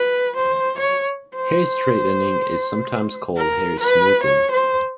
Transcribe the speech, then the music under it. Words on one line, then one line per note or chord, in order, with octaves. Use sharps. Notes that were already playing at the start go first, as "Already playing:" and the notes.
Hair straightening is sometimes called hair smoothing.
Already playing: B4
C5
C#5
C5
A#4
B4
C#5
C5